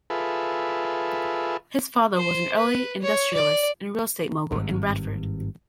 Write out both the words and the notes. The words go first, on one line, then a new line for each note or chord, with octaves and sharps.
His father was an early industrialist and real estate mogul in Bradford.
F4 G#4 A4 B4 E5
C5
B4
C#5
D5
G#1 G2